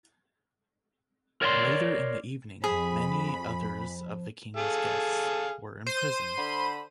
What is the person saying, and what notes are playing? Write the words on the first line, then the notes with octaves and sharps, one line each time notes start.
Later in the evening, many others of the king's guests were imprisoned.
A#4 C#5 D5 G5 C6
F2 F3 G#4 B5
G#4 A4 F5
C5 D#7
D3 B5